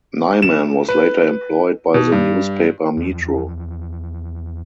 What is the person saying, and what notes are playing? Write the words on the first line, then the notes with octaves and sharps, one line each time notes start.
Nyman was later employed by the newspaper Metro.
E7
B4
B2
G2
E2 F3